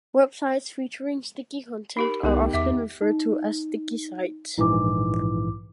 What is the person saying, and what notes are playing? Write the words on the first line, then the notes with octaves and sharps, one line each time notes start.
Websites featuring sticky content are often referred to as sticky sites.
D#4 G4 A#4
C2 D#3 B3 D#4 G4 A#4
E2 E5 F#5 D6
D#4
A#1 G#2 E3 E4 D6